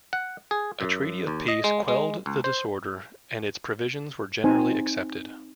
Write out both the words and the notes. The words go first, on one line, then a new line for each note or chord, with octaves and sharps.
A treaty of peace quelled the disorder, and its provisions were generally accepted.
F#5
G#4
F#2
D#2
D#5
G#3
G#3
C#2
C5
C4 D#4 C5 G#5